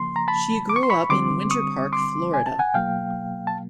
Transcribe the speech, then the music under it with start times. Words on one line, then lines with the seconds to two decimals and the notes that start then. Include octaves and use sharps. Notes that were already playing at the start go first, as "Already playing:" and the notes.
She grew up in Winter Park, Florida.
Already playing: C#3 F3 A#3 C6
0.16 A#5
0.28 A5 B5
0.69 D6
0.76 C#6
0.83 C6
0.90 B5 C#6
1.09 D3 G3 C4 C6 D6
1.51 C#6 D#6
1.93 C6 D6
2.34 G#5
2.46 A5
2.59 F#5 G#5
2.74 B2 F#3 A#3 F5 G5
3.47 A5